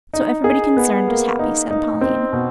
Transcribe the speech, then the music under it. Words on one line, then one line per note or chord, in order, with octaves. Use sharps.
"So everybody concerned is happy," said Pauline.
D#4
G#4
B3
A#3
D#4
D#4
C4
B2